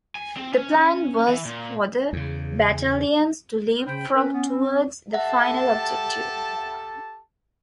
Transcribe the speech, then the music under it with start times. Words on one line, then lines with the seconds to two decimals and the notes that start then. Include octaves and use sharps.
The plan was for the battalions to leap-frog towards the final objective.
0.15 G#5
0.37 C4
0.53 C#4
1.28 E3
1.45 A#2
2.13 E2 C#3
3.87 C#3 C5 G5 B5
4.14 C#4 A#4 B4
4.34 B3
4.48 C4
5.13 G4 A4 E5 F#5 A5